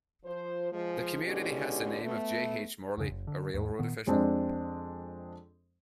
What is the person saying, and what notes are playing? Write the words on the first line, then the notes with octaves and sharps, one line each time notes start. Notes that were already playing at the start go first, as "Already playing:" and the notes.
The community has the name of J. H. Morley, a railroad official.
F3 C5
F3 G#3
B2 D3 G#3 C#4 E4 G4
A3 B3
E2 G2 A#2 C#3
F#1
D3
D#2 G#2
A#2 D#3 B3
F2 G#3 C4 D4